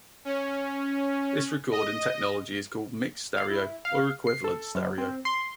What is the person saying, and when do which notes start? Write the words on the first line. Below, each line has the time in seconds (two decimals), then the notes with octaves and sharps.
This recording technology is called mixed stereo or equivalence stereo.
0.25 C#4
1.71 D#5
3.37 F5
3.50 E4
3.85 F5
4.27 C7
4.44 A4
4.75 F#2
4.98 C4
5.25 C6